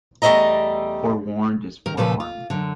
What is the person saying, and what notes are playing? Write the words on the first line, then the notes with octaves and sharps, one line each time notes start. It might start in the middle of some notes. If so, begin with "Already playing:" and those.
Forewarned is forearmed.
E2 G3 A3 C5 D#5 A#5
D#3 A#4
A#2 C#3 F3 A4 B4 A5
F4
F#2 D3